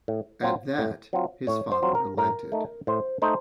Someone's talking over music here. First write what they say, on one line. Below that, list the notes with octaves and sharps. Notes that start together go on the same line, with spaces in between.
At that, his father relented.
A2
F#3 C4 F4
A2
F#3 C4 F4
A2 C#5
C5
F#3 C4 F4
A#4
A2 A#4
A3 D#4
A2 C5
A3 D#4 C5